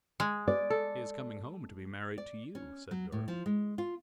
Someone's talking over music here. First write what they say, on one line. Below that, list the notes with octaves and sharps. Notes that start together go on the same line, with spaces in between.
"He is coming home to be married to you," said Durham.
G#3
D5
A4
D5
C#4
F#3
A2
F3
G#3
F4